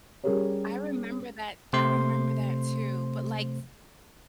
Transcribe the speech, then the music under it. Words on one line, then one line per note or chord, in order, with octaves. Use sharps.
I remember that t I remember that, too, but, like, v
G3 C#4 G4 G#4 A#4 C#5
C3 A3 C5 C6